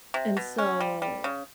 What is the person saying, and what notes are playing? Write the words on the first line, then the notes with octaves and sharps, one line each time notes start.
and so
C3
B2
C#4
G3
G3
C#3